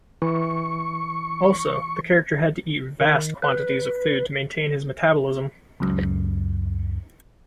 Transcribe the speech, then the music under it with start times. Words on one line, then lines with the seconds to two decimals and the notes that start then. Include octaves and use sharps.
Also, the character had to eat vast quantities of food to maintain his metabolism.
0.22 E3 C#6
3.01 D#3
3.42 B4
5.80 C#2 F#2